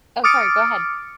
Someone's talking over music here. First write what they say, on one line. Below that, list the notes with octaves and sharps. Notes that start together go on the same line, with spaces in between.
Oh, sorry, go ahead.
D6 D#6 F6 A6 C#7 D7